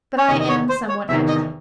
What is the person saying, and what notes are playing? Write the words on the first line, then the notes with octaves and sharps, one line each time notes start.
But I am somewhat agitated.
C#5
E2 C3 D#3 D#5
D#5
C#5
C5
C#5
E2 C3 D#3 E5
D#5